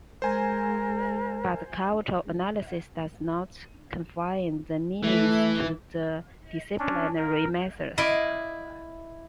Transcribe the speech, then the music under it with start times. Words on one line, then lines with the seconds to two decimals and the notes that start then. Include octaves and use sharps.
But cultural analysis does not confine the meanings to the disciplinary methods.
0.22 G#3 A#4 C5 G#5
5.03 E3 A3
6.79 C#4 D4
7.18 A#4
7.98 E4 D5 D#5 F5